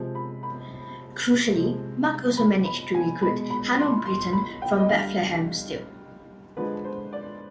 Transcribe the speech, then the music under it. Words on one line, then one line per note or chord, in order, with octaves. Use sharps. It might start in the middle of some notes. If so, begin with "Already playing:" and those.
Crucially, Mark also managed to recruit Harold Brittan from Bethlehem Steel.
Already playing: C3 F3 G#3
B5
B5
C3 F3 G#3
B5
B5
G#5
B2 G#3 B5
B5
C6
C6
B5
G5
D#5
D3 G3 F5
D3 F3 G#3 B4
C5
D5